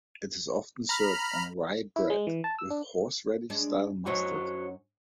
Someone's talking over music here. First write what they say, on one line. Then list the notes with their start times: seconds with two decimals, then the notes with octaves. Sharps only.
It is often served on rye bread with horseradish-style mustard.
0.89 A#5 B5 F6
1.96 E4
2.10 G#3
2.27 E3
2.44 A5
2.59 E6
2.70 D4
3.50 G#3 D4
4.06 F#2 C#4 D#4 F#4 C5 C#5